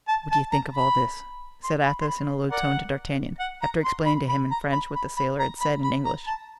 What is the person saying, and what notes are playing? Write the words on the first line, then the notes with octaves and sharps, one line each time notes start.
"What do you think of all this?" said Athos, in a low tone to D'Artagnan, after explaining to him in French what the sailor had said in English.
A5
A5
A#5
B5
C6
B5
C6
B5
A#4 D5 F#5
F#5
A#5
C6
B5
B5
A#5
B5
B5
B5
A#5
B5
B5
A#5
A5